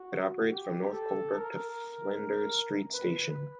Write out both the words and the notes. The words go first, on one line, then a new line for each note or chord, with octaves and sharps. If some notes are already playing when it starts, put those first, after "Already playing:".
It operates from North Coburg to Flinders Street station.
Already playing: F#4
G4
A4
A#4
B4